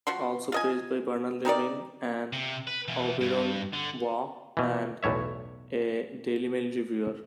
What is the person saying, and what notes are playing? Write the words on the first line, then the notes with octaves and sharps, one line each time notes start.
Also praised by Bernard Levin, and Auberon Waugh and a Daily Mail reviewer.
F3 F#4 C6
F4 D#5 G#5
C4 D#4 A#4 D5
C3
B4
B2 E3
G2
D3
B2 E3
B1 E2 A2 C#5 E5